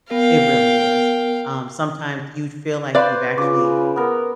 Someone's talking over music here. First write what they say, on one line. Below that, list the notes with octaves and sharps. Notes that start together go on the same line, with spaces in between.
it really is. Um, sometimes you'd feel like you've actually
B3 A#4 F5 G5
B4 C5 D5 F5
C#3 F4 D6
B3 A#4